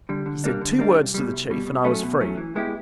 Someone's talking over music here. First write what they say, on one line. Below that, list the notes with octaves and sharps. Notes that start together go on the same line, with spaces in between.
"He said two words to the chief and I was free."
D3 G3
D3
G3 A#3 D4
D3
G3 A#3 D4
C2
B2 G3
C2
B2 G3
B2
F#3 A3 C#4
B2
F#3 A3 C#4
E3
G#3 B3 E4 G4